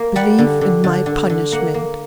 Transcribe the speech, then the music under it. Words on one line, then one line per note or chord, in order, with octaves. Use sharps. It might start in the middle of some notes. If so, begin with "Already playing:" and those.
"Believe in my punishment!"
Already playing: A#3
G3 F#5
D3
D3
D3
D3
D3
A#3 F#5
A#3